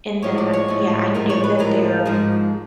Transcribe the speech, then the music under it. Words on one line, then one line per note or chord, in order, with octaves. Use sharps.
in that Yeah, I knew that there
A2 F3 G#3 C#5
D5
C#5
A2 F3 G#3
A2 F3 G#3 A#4
C#5
B4
A2 F3 G#3 A#4
G#2 F3 G#3